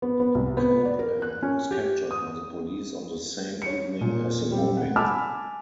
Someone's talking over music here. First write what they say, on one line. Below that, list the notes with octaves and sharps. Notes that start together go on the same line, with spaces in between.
Copeland was captured by the police on the same evening as the bombing.
B3
B3
C2
B3
D5
A#4
F#6
C#4
G4
D#6
C#5 C#7
A#2
G3 C4
F#5
G#5 A5 B5 D6 E6 F6